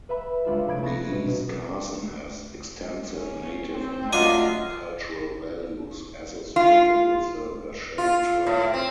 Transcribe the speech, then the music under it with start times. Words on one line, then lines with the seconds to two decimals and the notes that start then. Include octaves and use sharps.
The East Carson has extensive Native American cultural values associated with the Washoe tribe.
0.09 B4 E5 B5
0.45 C#2 D4 F4 E5
0.67 F1 B5 G#6 D7
0.83 A5 C#6 F#6 A6 A#6 C#7
1.12 B2
1.28 B2 F#3
3.15 C#4
3.73 C4
4.13 F#3 A3 D4 F4 D#5 G#5
6.56 F4
7.98 F4
8.47 A2
8.74 C4